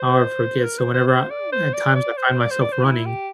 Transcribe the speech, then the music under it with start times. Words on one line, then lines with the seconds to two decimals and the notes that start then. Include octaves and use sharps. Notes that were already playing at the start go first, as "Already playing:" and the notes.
I'll ever forget. So whenever I at times I find myself running,
Already playing: C5
0.64 A#4
0.79 C5
0.94 C5
1.07 C5
1.30 D5
1.52 C5
1.73 D5
1.95 D5
2.17 C5
2.40 D5
2.50 C5
2.61 D5
2.72 C5
2.84 E4
3.06 G4